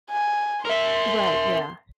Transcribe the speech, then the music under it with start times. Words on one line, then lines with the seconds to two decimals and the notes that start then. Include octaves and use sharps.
Right. Yeah.
0.11 G#5
0.65 A#4 E5 C6